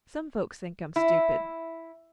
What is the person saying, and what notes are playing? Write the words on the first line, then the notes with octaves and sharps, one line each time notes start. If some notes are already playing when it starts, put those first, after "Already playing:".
Some folks think I'm stupid.
E4